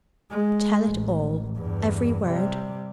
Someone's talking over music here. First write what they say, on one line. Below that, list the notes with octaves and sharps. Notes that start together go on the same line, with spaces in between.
"Tell it all;--every word!"
G#3
A1
E2 G2
C3 G3